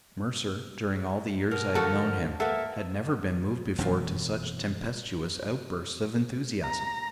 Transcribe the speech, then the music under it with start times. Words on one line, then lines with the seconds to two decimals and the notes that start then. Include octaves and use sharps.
Mercer, during all the years I had known him, had never been moved before to such tempestuous outbursts of enthusiasm.
1.51 B2 A#4
1.75 D3 F3 F#4 A4
2.40 A#3 B3 A4 E5
3.78 E1 F#2 A#2
6.64 A#5